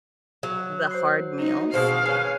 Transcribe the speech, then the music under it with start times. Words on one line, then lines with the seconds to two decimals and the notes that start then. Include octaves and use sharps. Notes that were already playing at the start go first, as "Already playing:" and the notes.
the hard meals,
0.43 F#3
0.91 C5 C7
1.39 D#4
1.74 B2 C4 F#4 G#4 F5
2.06 G#4 B4 C#5 G#5